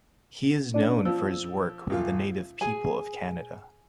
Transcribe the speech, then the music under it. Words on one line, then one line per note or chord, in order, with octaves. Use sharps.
He is known for his work with the native people of Canada.
C#4 D4 D5
F3 E6
D#1 F4
G#4 G#5